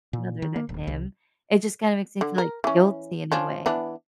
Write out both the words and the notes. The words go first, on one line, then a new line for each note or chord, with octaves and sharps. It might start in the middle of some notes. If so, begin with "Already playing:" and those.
man other than him. It just kinda makes me feel, like, guilty in a way.
A#2
D#3
A#3
D1
C2
D3
A#4
E3 C#4
F3 C#4 D4
E3 B3 D4